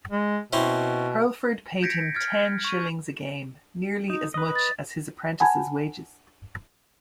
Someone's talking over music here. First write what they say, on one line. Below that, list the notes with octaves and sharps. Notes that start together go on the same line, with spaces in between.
Hurlford paid him ten shillings a game, nearly as much as his apprentice's wages.
G#3
B2 C4 C#4 E4
G6 G#6 A#6 B6 C#7 D7
F6 G#6 A6
C#6 D#7
D#4
B4 D#5
A6
F#5 G#5 A5 B5 G#6